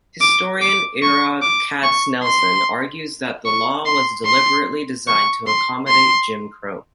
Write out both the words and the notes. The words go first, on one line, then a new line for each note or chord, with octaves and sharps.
Historian Ira Katznelson argues that "the law was deliberately designed to accommodate Jim Crow".
D6
D6
C#6
D6
C#6
C6
C#6
C6
C6
C#6
C6
C6